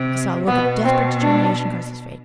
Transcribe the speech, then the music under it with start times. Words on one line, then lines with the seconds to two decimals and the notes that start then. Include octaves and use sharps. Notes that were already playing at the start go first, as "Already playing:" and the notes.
I saw a look of desperate determination cross his face.
Already playing: C3
0.47 B2 B3
0.85 C4
1.22 D4